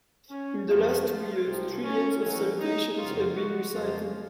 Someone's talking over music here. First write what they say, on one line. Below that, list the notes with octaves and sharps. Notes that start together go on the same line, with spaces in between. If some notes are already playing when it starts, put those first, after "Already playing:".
In the last two years trillions of salutations have been recited.
C#4
F2 C3 F3 A3 D#4
F4
C2 C3 F3
C#4
A1 A2 F#3 C#4
D#4
F#1 F2 C3 F#3 F4
F#4
F2 C#3 F3 A#3 F4